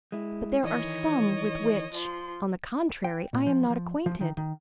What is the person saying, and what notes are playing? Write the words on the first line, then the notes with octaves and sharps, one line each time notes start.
But there are some with which, on the contrary, I am not acquainted.
G#3 E4
D#3 E3 C#5 D#5
F3 C6
G5
A#2
F3
F3
F3
D#3
D#3